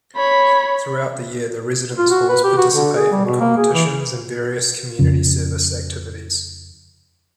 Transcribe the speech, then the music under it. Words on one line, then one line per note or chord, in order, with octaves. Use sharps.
Throughout the year the residence halls participate in competitions and various community service activities.
C#5 B5
F4
F#4
B4
G4
F#4
D3
G#4
G3
B2
A#3
G#4
E3
F2 C#3